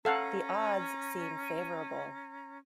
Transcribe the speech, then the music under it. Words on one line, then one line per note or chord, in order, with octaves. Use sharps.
The odds seem favourable.
C#4 A4 F5 F#5 A#5